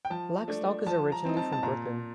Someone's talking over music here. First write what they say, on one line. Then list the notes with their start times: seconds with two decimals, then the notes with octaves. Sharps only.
Blackstock is originally from Brooklyn.
0.05 G5
0.10 F3 A5
0.48 A3 D4
0.87 F3 A5
1.12 A#5
1.25 C4 D#4
1.37 A5
1.52 A5
1.63 A#2 A#5